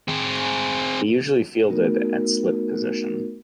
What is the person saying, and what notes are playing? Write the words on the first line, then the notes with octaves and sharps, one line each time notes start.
He usually fielded at slip position.
C4 G#4
A3 B3 D#4 F#4 A#4